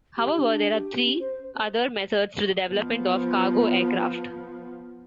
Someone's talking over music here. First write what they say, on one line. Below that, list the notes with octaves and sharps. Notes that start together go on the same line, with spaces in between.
However, there are three other methods to the development of cargo aircraft.
G4
D4
G4
C#4
C5
F3 B3